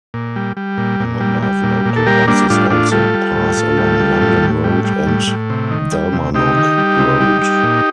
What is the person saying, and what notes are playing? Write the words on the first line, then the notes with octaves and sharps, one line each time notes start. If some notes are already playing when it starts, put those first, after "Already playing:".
A number of local buses also pass along London Road and Dalmarnock Road.
A#2
G3
G3
A#2
A#2
G3
G3
A#2
A#2
A4
G3 G4 A#4
G3 A#3 D4
A2 D4 F4
A2 D4 F4
G3 F4 A4
G3
A2
A2
G3
G3
A2
A2
G3
G3
A2
A2
C3
D#3
G3
C3
C3 D#4 G4
D#3
G3
C3
G3
G3
A#2